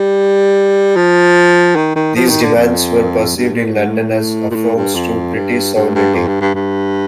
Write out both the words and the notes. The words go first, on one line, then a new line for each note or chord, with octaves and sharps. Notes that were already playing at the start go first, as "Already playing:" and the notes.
These demands were perceived in London as affronts to British sovereignty.
Already playing: G3
F3
D#3
D#3
F3
D#3
D3
F2
G2
A#2
A2
G2
A2
A#2
A2
G2
F2
G2
G2
G2
F2
G2
G2
G2